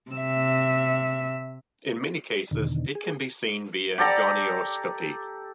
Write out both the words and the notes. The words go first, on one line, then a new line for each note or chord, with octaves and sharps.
In many cases it can be seen via gonioscopy.
C3 E5
E2 B2 D3 D#3
G#4
G4 A4 D5 A#5